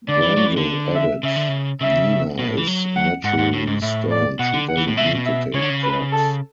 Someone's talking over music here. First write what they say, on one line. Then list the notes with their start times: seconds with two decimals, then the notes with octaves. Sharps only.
Brendel added, Nena is naturally stoned, she doesn't need to take drugs.
0.09 D3 D5
0.22 E3
0.37 F#3
0.46 E3
0.57 D3
0.95 E5
1.23 C#3 E5
1.36 D3
1.48 C#3
1.81 C#3 E5
2.39 B2
2.48 A2
2.58 E3
2.67 F#3
2.96 F#5
3.24 G#2 F#5
3.38 G#2
3.53 A2
3.67 G#2
3.82 A2 E5
4.11 D5
4.39 B2 F#5
4.54 D3
4.68 F#5
4.77 E3
4.88 A2
4.97 B2 E5
5.05 C#3
5.15 B2
5.26 E5
5.54 C#3 C#5
5.62 D3
5.70 C#3
5.83 B4
6.12 A4